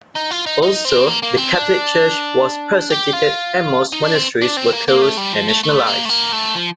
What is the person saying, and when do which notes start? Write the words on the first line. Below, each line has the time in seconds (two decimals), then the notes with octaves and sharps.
Also the Catholic Church was persecuted and most monasteries were closed and nationalized.
0.16 D#4
0.31 F4
0.46 D#4
0.62 D#4
0.85 C4
1.07 A#3
1.23 A#3
1.38 C4
1.53 D4
2.90 G4
3.13 F4
3.92 D#4
4.03 D4
4.15 C4
4.42 D4
4.57 C4
4.73 A#3
4.88 A#3
5.02 A3
5.17 G3
5.33 F3
5.48 A3
5.63 A3
5.87 A#3
6.05 A3
6.09 A#3
6.32 A3
6.55 F3